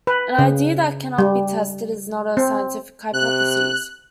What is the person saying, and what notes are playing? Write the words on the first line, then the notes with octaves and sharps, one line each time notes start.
An idea that cannot be tested is not a scientific hypothesis.
B4
C#3
G3
C4
C3 F#6